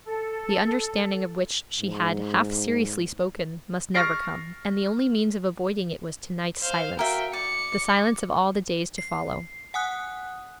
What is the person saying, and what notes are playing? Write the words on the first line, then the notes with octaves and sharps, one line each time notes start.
The understanding of which she had half-seriously spoken must never come, and the only means of avoiding it was to-night's silence, the silence of all the days to follow.
A4
G#2
C#6 F6 A6 A#6 C7 D7
C5 F5
F#4 A#4 E5 F5 G5
D5 C#7
C7
F#5 G#5 D#6 F#6